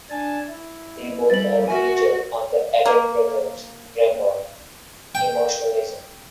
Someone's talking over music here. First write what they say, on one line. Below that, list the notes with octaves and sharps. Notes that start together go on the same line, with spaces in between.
They are both featured on The Avett Brothers record "Emotionalism".
D4 G#5 A5
E4
G3 A6 F#7
F#4 A#4 E5 G#5
A#3
G5